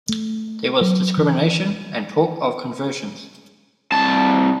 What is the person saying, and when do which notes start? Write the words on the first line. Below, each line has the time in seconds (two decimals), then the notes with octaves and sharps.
There was discrimination and talk of conversions.
0.09 A3
0.81 F#3
1.17 E3
3.92 C2 A5